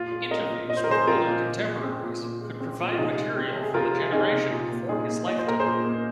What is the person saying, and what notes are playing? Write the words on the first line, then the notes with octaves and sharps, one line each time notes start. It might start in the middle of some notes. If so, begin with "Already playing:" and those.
Interviews with older contemporaries could provide material for the generation before his lifetime.
Already playing: A#2 F4
G#3
C4 A#4 D#5
A#2
A#2 D#5
C5
A#4
G#3 G#4 C5
C4 F4 A#4
A#2
A#2
G#3
C4
A#2
A#2
G#3
C4
A#2
F4
C3 D#4 G#4
G#3
C4
C3
G#4
C3 F4 A#4
G#3
C4 D#4 G#4
C3
A#2 F4
A#3
A#2 D#4 G#4
A#3
A#2 D#5
C5
A#3 A#4
G#4 C5
A#2
A#3